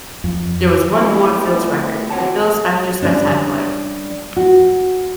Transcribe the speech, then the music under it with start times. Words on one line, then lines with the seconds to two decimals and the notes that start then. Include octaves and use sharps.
There was "one more" Philles record, The Phil Spector Spectacular.
0.24 F2
0.92 G3 A3 C4 E4 F4 G#4
2.10 C4 F#4 C5 C#5 F#5 A5
3.02 G3 C#4 D4
4.36 F#4